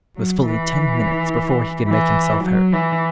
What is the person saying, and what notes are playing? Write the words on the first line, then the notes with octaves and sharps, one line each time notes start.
It was fully ten minutes before he could make himself heard.
F#3
E3
E3
F#3
E3